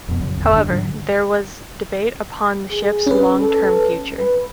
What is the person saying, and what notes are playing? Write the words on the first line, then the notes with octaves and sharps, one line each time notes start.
However, there was debate upon the ship's long-term future.
F2 B2
C#2 F#2 C#3
A1 E2 D3
F#1 D3 G3 D4
G#2 D3 F#3
G#4
C#4 B4
A4
B4